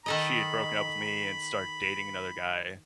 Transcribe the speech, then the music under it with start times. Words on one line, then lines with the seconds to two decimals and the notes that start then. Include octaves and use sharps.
she had broken up with me, and started dating another guy,
0.06 D#3 A4 D#5 B5